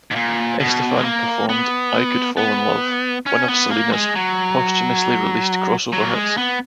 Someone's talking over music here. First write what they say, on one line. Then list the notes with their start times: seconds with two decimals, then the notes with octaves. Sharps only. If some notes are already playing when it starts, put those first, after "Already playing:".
Estefan performed "I Could Fall in Love", one of Selena's posthumously released crossover hits.
0.11 G#2
0.15 A#2
0.60 B2
0.96 G#3
1.05 A#3
1.49 B3
2.37 B3
3.26 C#4
3.48 B3
3.71 A#3
3.93 G#3
4.15 F#3
5.93 F#3
6.04 A#3
6.15 G#3
6.37 B3